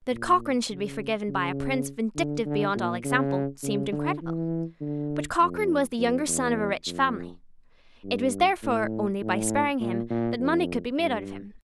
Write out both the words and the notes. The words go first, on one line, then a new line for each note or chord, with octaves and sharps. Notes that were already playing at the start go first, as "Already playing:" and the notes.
That Cochrane should be forgiven by a prince vindictive beyond all example, seemed incredible. But Cochrane was the younger son of a rich family; it was therefore only by sparing him that money could be made out of him.
A#2
C#3
C#3
D3
D3
A#2
C#3
C#3
D3
E3
D3
F2
F2
E2
F2
G2
A2
A2
A#2
A#2
F2
G2